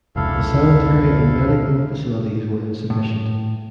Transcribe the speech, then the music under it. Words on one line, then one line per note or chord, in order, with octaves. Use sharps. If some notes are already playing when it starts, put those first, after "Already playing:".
The sanitary and medical facilities were insufficient.
F1 C#2 E4 A4 F5
A2